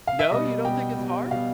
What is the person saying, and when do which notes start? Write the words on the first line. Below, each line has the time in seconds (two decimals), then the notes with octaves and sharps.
No, you don't think it's hard?
0.07 F5
0.19 E5
0.31 B2 G3 D#5
0.65 B2 G3 G5
0.98 B2 G3
1.31 B2 G3 F5